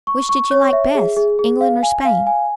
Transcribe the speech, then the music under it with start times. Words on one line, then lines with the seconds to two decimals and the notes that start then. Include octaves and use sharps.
"Which did you like best--England or Spain?"
0.07 C#6
0.29 C#6
0.51 C#5
0.73 E5
0.95 G#4
1.17 G#4
1.39 G#4
1.61 F5
1.83 G#5
2.05 F5
2.27 G#5